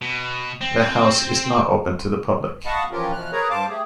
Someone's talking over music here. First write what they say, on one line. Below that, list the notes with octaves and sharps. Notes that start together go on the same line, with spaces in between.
The house is not open to the public.
B2
C4
D#5 F5 F#5 A5 B5 C#6
E3 F3 C#4 F4 G4 A#4
B2 E3 F3 F6 F#6
G#4 A#4 B4 C#5 A#5
G2 C5 F5 A5 D6
A3 G4 G#4